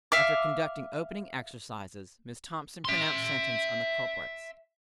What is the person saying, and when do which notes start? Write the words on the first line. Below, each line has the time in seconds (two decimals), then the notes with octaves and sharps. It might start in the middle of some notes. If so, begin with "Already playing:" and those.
After conducting opening exercises, Miss Thompson pronounced sentence on the culprits.
0.12 E5 F5 D6
2.85 E5 C6